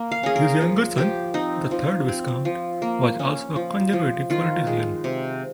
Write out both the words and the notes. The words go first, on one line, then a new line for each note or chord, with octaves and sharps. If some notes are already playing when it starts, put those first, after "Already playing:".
His younger son, the third Viscount, was also a Conservative politician.
Already playing: A#3
F5
C#4 G#4
A#4
F3
F3 G4
C4 D#4
F3
C4
F3
A#3
C#4
F3
F3
D#3 F4
G#3
C3